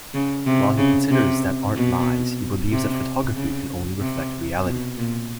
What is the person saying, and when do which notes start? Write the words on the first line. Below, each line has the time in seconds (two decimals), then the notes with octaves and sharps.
While he considers that art lies, he believes that photography can only reflect reality.
0.14 C#3
0.47 C3
0.78 C#3
1.11 C3
1.76 B2
2.72 C3
3.36 C#3
4.01 C3
4.65 B2
4.97 A#2